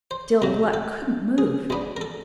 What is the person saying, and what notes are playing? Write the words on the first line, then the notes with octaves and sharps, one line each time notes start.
Still Gluck couldn't move.
C5
C2 A#2 F#3 A#4
A4
G#4
B2 G#3 B3 D4
A#4
A4